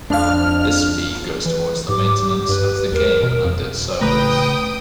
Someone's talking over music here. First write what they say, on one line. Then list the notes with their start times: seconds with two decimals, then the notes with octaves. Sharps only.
This fee goes toward the maintenance of the game and its servers.
0.10 F2 D4 F5 F6
1.46 E3 B4
1.89 G#2 G4 D6
2.49 G2 B4
2.92 D#2 A#4
3.23 B2
3.45 F2
4.01 A1 C#3 A3 B4 G5 A#5 D#6